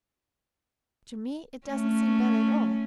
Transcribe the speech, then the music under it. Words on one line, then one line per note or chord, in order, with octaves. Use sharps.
To me, it doesn't seem bad at all.
A3 C#4